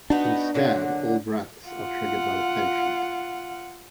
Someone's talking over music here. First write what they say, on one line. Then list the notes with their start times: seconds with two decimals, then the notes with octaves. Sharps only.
Instead, all breaths are triggered by the patient.
0.10 B3 D4 D#4 F#4
0.54 A#2 D3 F#3
1.67 F4 F#5